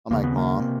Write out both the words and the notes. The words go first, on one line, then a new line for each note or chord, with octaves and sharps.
I'm, like, "Mom,
D#2 C#3 A#3
B3
A#3
C3